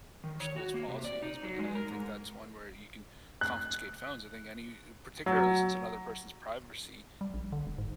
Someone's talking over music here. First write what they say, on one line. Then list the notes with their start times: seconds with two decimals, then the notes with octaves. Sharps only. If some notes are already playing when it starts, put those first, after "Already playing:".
school's policy is, but I I think that's one where you can confiscate phones. I think any particularly since another person's privacy
0.24 D#3
0.40 C#5
0.56 F#4
0.74 A#3
0.88 C3
1.05 D5
1.22 D#4
1.43 F#3
1.59 G#3
1.75 A#4
1.91 G#2
3.41 F#6
5.26 F#3
7.21 G3
7.34 A#1
7.52 D3
7.67 E1
7.78 G#2